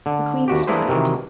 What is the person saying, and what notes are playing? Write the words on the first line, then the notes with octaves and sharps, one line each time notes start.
The queen smiled.
D3
D#2 F#4 G4
A#3 D4 E4 G#4 B4 C5
C3 D#3 E3 F#3